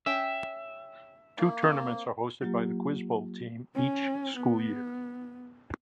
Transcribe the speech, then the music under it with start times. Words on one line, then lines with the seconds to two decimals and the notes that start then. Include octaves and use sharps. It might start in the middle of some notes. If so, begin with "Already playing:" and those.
Two tournaments are hosted by the Quiz Bowl Team each school year.
0.06 C#4 G4 E5 G5
1.38 A#3 E4
1.62 C4
2.41 F#3 A#3 F4 G4
3.75 C#4
4.37 B3